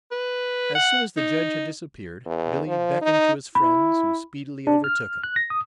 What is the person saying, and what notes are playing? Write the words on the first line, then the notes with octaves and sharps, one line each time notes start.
As soon as the judge had disappeared, Billy beckoned to his friends, who speedily overtook him.
B4
F#5
D#4
E2
F3
D#4
E4 B5
D4
F6
F#6
A#6
D#6